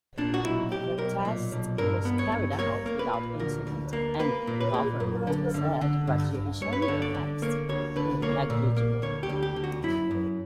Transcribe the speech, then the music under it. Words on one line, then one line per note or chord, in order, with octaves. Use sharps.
The test was carried out without incident, and government said radiation effects were negligible.
A#2 D4
F#4
B1 E4
B1 G4
B1 A#4
A#2
B1
G2 A#4
B3
C#5
G2
A#3 C#5
A#3
B4
A#2
D2 A#4
D2
A#3
A#3 B4
A#2
B4
A#2
F#2
D3
D3
D3
G2
G2
G2 C#5
B4
C#5
D3
D5
D3
A#3 C#5
D2 C#5
D3 B4
A#3 C#5
A#2
A#3
D2 C#5
G4
D2
G4
D2
F#4
F#2 E4
F#2